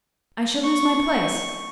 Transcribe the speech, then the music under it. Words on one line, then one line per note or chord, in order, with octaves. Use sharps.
'I shall lose my place.
C#6